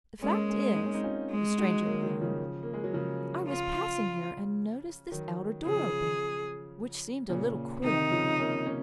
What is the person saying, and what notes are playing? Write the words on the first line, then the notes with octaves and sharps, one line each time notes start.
The fact is," the stranger went on, "I was passing here and noticed this outer door open, which seemed a little queer.
G#3 A#3 C#4
A#3 C#4
D#4
C#4
C4 D#4
C#4 F4
G#3
D#4 F#4
F#3 A#3
D#3 F#3
C#3 F3
A#3
G#3
F#3
C#3 F3
F4
D#3 F#3
C#3 F3 G#4
A#2 C#3
C3 D#3 D#4
C#3 F3
A#3 C#4
A#3 C#4